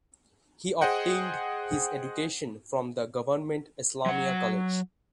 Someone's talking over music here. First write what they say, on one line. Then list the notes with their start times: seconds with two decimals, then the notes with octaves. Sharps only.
He obtained his education from the Government Islamia College.
0.81 G#4 C5 D#5 F#5 G5
4.06 F#3 F#5